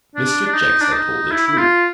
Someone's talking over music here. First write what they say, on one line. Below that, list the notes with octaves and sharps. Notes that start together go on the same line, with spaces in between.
Mr. Jenks had told the truth.
D4
D4
D#4
D4
D#4
E4
E4
F4